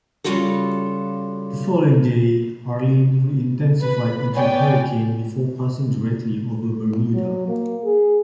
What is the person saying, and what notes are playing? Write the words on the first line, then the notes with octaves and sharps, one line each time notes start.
The following day, Arlene re-intensified into a hurricane before passing directly over Bermuda.
C#3 E3 G3 F4 F#4 A4
B4 B5
B3 C#5 D5 G5 G#5
F#3
A#3
G#4